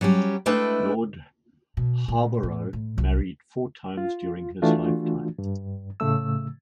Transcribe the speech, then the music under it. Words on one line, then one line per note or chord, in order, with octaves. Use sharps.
Lord Harborough married four times during his lifetime.
F#3 G3 C#4 G4
G#3 A3 D4 E4 B4 G5
B2
A#2
A2
A2
C2
F4
E3 A3 D4 F4 F#4
G2
A2 C#3 A3 E6